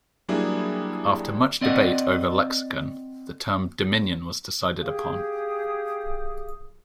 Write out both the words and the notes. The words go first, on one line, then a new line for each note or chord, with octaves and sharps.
After much debate over lexicon, the term 'Dominion' was decided upon.
F#3 G3 A#3 D4 E4 G#4
C4 D5 D#5 F#5
G4 G#4 F5 D#6